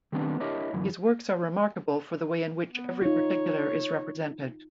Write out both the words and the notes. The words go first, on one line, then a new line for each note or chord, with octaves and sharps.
His works are remarkable for the way in which every particular is represented.
D#3 G3 A3 B3 C4 D4
D4 E4 G4 A#4 C#5 D#5
F#2 D3 E3 F#3
B3
D#4 F4 C#5